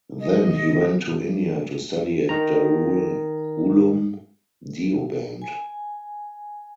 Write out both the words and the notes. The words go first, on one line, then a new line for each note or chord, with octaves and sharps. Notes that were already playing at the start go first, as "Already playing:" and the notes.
Then he went to India to study at Darul Ulum Deoband.
D#5
D#3 A#5
G#5